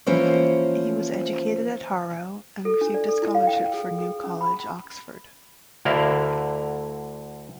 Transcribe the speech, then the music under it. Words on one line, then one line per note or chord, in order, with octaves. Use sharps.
He was educated at Harrow and received a scholarship for New College, Oxford.
E3 F3 A#3 C#4 C5 C#5
A4
D4
D5
A4
E4
F5
G5
G#4
G#4
C#4
B5
D2 D3 E4 A#4 F5 A#5